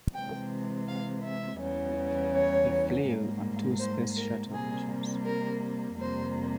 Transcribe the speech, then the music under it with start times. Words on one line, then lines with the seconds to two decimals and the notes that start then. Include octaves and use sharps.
He flew on two Space Shuttle missions.
0.14 C3 E3 G#3 G5
0.88 F5
1.23 E5
1.60 E2 C#3 E3 G3
2.33 C#5
3.07 G#2 G3 A#3
3.79 C5
4.16 A#4
4.53 C3 G3 A#3 G#4
5.26 A#4
5.99 F2 C3 G3 A#3 C5